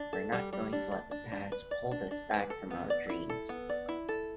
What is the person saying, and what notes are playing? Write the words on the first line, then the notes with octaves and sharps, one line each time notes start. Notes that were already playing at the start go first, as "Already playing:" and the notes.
We’re not going to let the past hold us back from our dreams.
Already playing: D4
A4
G3
G3
D4
D5
D4
D4
B4
D5
D4
D4
B4
A4
B3
D5
E4
A4
B3
D5
E4
A4